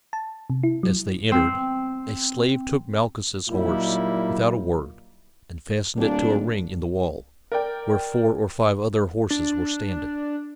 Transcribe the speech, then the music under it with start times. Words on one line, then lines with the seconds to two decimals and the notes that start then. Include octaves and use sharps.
As they entered a slave took Malchus' horse without a word and fastened it to a ring in the wall, where four or five other horses were standing.
0.13 A5
0.50 C3
0.63 E4
0.83 F#3
1.32 C4
3.49 A#2 F#3 G3 A#3 D#4 E4
5.97 D1 A#2 D4
7.52 A#4 D5 G5
9.30 D4